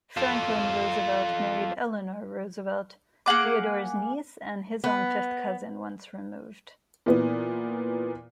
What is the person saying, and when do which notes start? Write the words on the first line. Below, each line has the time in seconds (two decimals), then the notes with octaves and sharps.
Franklin Roosevelt married Eleanor Roosevelt, Theodore's niece and his own fifth cousin once removed.
0.17 F4 A4
3.26 A#3 G#4 F#5 D6
4.84 B3
7.06 A#2 E3 B3